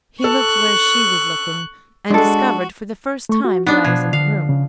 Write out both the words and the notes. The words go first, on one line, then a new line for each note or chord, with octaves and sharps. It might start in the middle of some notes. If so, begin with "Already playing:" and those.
He looked where she was looking--and discovered, for the first time, that I was in the room.
A4 C#6 F#6
G#3 D4 F#4 A4
A3 C#6
F#4
B3 D4 D#4
B2 F3 G#6
D3 F5
C#3